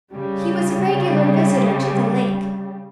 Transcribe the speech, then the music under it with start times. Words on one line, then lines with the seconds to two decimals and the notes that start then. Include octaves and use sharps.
He was a regular visitor to the lake.
0.12 C#3 G3